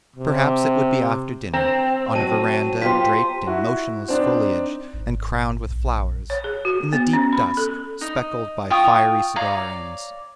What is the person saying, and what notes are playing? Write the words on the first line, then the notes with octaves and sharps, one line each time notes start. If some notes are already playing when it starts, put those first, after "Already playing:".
Perhaps it would be after dinner, on a verandah draped in motionless foliage and crowned with flowers, in the deep dusk speckled by fiery cigar-ends.
C3
C4 A#5
F#3 A5 D#7
F4 G4 C5 B6
E4 F#4
C4 D4 D#4
G#1
A#1
C#5
G#4
F#4
B3
C#4
B5
A4
D#4
F4 G5 C#6 D#6
C#5 D5 F5 A#5